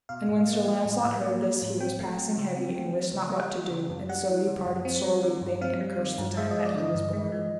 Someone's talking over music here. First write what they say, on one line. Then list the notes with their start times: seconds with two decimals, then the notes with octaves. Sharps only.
And when Sir Launcelot heard this he was passing heavy and wist not what to do, and so departed sore weeping, and cursed the time that he was born.
0.09 B2 F5
0.28 A2
0.47 A#3
0.66 F3
0.85 A2
1.04 A2
1.24 A#3
1.42 F3
1.62 A2
1.80 C4 G5
1.99 A3
2.18 F#3
2.37 C#3
2.56 C4
2.76 A3
2.95 F#3
3.13 C#3
3.32 G3
3.51 E3
3.70 C#3
3.89 F#2
4.09 G3 F#5
4.28 E3
4.47 C#3
4.66 F#2
4.85 C4
5.04 G3
5.23 D#3
5.42 G2
5.61 C4 F5
5.81 G3
5.99 D#3
6.18 G2
6.37 G#3 E5
6.51 D#5
6.56 F3
6.65 D5
6.75 D3 D#5
6.95 G2
7.13 G#3
7.32 F3